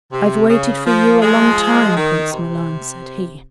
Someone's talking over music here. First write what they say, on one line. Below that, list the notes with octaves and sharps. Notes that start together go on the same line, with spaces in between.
"I've waited for you a long time, Prince Milan," said he.
C3
C#3
F3
F3 G#3
D#3
C3